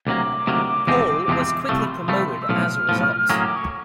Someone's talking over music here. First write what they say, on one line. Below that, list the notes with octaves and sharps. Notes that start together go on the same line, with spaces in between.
Pohl was quickly promoted as a result.
D2 C3 D#3 F#3 A#3 D6
D2 C3 D#3 F#3 A#3
E2 C3 F3 G#3 C4
E2 C3 F3 G#3 C4
C2 C3 F3 A3 C#6
B5
C6
C2 C3 F3 A3 B5
C6
E6
B1 A2 F3 F6
B1 A2 F3
A2 F#3 A#3 C#4 D#6
D6
C#6